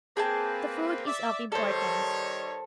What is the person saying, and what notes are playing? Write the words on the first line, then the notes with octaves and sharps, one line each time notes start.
The food is of importance.
A#3 C4 G#4 B4 G5 A5
D5 E5
D#3 G3 A4 C5 C#5